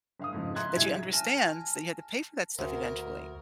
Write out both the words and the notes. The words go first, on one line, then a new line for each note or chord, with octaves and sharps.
that she understands that you had to pay for that stuff eventually,
G1 F5 D#6
F2 G#2 C#3
E5 A#5 C6 F#6 G#6
B1 E3 F#3 G#4 E5 G#6
G#5 A5 F6 A#6
D2 A#4